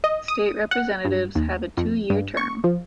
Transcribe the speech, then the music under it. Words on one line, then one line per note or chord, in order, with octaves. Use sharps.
State Representatives have a two-year term.
D#5
D#6
F#5
G2
D#2
F2
G2
C#6
F3